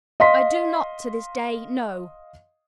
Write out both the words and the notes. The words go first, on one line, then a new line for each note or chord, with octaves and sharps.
I do not to this day know.
D#5 F5 C6 B6